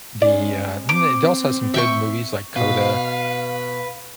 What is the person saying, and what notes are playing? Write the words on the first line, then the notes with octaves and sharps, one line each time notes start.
the, uh the they also have some good movies like CODA
G#3 C#4 D5
C4 D6
E5 G5 C#6
B2 B4 F5